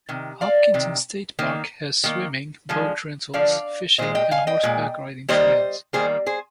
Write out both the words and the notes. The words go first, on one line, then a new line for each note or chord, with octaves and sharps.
Hopkinton State Park has swimming, boat rentals, fishing and horseback riding trails.
C3 D#3
D5 F5
C3 D#3
D#3 A#3
D#3 A#3
D3 F3 G#3
D3 F3 D5 F5
A#2 G#3 C5 D#5
D#5 G5
F5 G#5
D#5 G5
A#2 G#3
D#3 G3 A#3 C5 D#5
D#3 G3 A#3 G#4 C5
G#4 C5